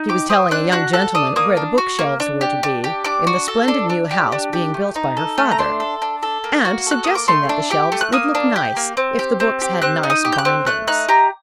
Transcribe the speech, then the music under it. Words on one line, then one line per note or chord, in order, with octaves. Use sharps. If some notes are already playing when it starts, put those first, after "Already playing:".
She was telling a young gentleman where the book-shelves were to be in the splendid new house being built by her father, and suggesting that the shelves would look nice if the books had nice bindings.
Already playing: D#4
G4 D6
C4 D#6
D4 F#6
F#4 F#6
A4 F#6
D4 D#6
A#3 D#6
D4
F#4
A#3
D4
G4
D4
G4
D4 D6
F#4
A4
D4
D4
G4
D4
G4
A3
D#4
A4
A3
A#5
D4 C6
A4
D4
A4
A#3
F#4
A4 F#6
A#3 D#6
D6
A3 C6
D4
G4 D6
A3
F#6
A#3 D#6
D4
G4
A#3
C4
G4
C4
G4
C4 F#6
D#4
D#6
G4
G6
F#6
C4
A3 F#6
D#4 F#6
G4 A#5